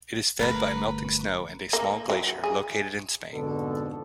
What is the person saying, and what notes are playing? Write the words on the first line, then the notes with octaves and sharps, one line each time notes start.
It is fed by a melting snow and a small glacier, located in Spain.
G1 A3 A#4 B4 A#5
A#3
F#3
G#4
F2 G#2 B2 D3 A4